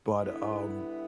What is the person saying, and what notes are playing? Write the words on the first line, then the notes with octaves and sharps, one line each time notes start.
but, um,
D3 G3 B3 E4